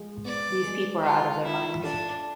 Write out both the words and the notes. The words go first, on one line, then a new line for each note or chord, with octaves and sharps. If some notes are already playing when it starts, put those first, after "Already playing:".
These people are out of their minds.
Already playing: F3 G#3
B3 D5
G#3
G#3 F4
E4 F4
D4 A4